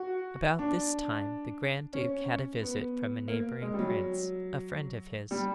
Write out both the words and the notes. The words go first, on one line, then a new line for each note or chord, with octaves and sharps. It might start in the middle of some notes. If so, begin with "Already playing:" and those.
About this time the grand duke had a visit from a neighbouring prince, a friend of his.
Already playing: F#4
D4
C#4
B3
A#3
G#3
G3
F#3
G3